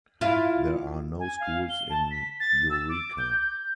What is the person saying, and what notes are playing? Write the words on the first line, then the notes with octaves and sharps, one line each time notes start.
There are no schools in Eureka.
E4 F4
G#5
F5
G7
A5
B6
A6
E6
D6
G6
G6